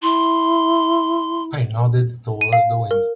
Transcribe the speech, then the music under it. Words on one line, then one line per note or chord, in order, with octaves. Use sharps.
I nodded towards the window.
E4 C6
D#7
F5
A#4